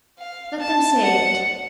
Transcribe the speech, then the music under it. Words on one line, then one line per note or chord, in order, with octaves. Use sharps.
Let them say it.
F5
A5
F#5